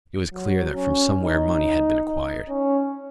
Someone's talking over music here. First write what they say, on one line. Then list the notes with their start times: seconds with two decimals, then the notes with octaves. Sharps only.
It was clear that from SOMEWHERE money had been acquired.
0.33 F#3
0.75 C#4
1.19 D#4
2.49 C#4